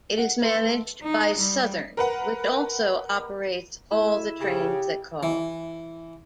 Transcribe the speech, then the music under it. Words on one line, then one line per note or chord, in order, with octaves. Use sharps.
It is managed by Southern, which also operates all the trains that call.
F#5
A3 B4 E5 C6
D#4
G3
A#4 B4 F#5
A3 E4
C#3 G4
E3